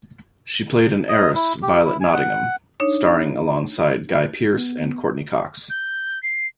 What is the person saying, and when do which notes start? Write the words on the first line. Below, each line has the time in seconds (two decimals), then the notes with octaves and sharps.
She played an heiress, Violet Nottingham, starring alongside Guy Pearce and Courteney Cox.
1.09 D#5
1.35 E4
1.62 G4
1.85 E4
2.01 G#5
2.13 F#5
2.80 D4 D#4 C#5
4.58 B3
5.70 G6
6.23 C7